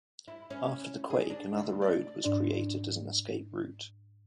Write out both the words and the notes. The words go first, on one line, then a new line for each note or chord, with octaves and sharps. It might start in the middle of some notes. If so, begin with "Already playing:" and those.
After the quake another road was created as an escape route.
E4
C#4
G#4
D4
D2
D5
G#2 D4 D5